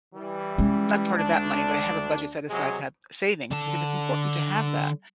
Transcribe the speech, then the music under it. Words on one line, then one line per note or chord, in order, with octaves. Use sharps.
not part of that money, but I have a budget set aside to have savings because it's important to have that,
E3 G3
G#3 C#4
D2 D4
C3 F#3 G#3
D3 A5